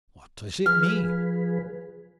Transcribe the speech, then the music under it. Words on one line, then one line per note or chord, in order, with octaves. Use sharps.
What does it mean?
F3 G#4 B4 F6